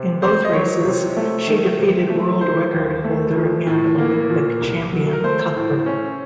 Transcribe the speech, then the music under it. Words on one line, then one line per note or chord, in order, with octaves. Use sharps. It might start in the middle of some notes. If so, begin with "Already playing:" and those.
In both races, she defeated world-record holder and Olympic champion Cuthbert.
Already playing: C3
C4 C5
D#5
F#3 C#5
C3
A3
D#3
C3
A3
D#3 C5
D#2
A3
F3
A2
A#3
A#2
C2
F#3
A#4
A3 C5
A2
C#4